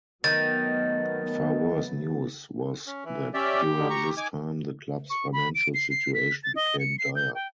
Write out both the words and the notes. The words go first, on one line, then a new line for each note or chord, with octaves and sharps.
Far worse news was that during this time the club's financial situation became dire.
D#3 F#3 A3 B3 A6
C#4
E3
C#4 G4 D5 E5
D3 D#3
A#5 C#6
D#4 G#5 D6
C#6
B5
D7
C7
C7
B6
A6
D#5
C#7
C7
G6
G5